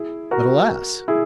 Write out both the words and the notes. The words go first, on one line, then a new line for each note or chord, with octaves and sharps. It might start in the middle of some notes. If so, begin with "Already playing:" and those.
But, alas!
Already playing: E4 G#4
F#4 A#4
E4 G#4